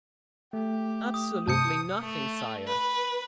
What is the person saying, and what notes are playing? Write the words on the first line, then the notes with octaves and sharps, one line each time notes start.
"Absolutely nothing, sire."
A3 G4
D#6
G2 C3 A5 D#6 G6 C#7
A3
B4